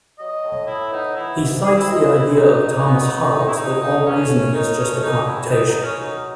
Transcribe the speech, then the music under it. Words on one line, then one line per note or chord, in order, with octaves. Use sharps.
He cites the idea of Thomas Hobbes that all reasoning is just a computation.
F#3 D#5
A2
A2 E4
B3 D#4
E3 E4
G#2
G#2 G#4
E4
G#3 D#5
D#5
G#3 E4
C#3 D#4
C#3
B3
D#3
E2
E4
E2 D#4
A3 D#4
E3 C#4
C#3
C#3 D#4
A3 C#4
B2 D#4
E2 E4
E2 D#4
D#4
G#3
C#4
F#3 D#4